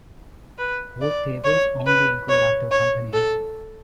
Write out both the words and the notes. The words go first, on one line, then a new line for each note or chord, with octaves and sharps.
Both tables only include active companies.
B4
D5
C#5
B4
C#5
C#5
A4